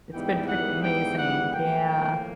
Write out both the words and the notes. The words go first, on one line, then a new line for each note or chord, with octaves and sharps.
It's been pretty amazing, yeah.
G#2 E3 G3 B3 D#4 G5
F#5
G5
F#5
A2 F3 A#3 G5